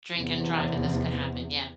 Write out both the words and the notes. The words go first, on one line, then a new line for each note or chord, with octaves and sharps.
drink and drive, and this could happen, yeah.
E2 C3